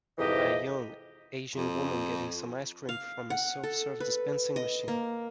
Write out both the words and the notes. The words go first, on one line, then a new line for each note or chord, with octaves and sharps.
A young Asian woman getting some ice cream from a self serve dispensing machine.
F2 G#2 C3 E3 G4 D#5
F2
F5
F#5
A4
B4
D#5
A#3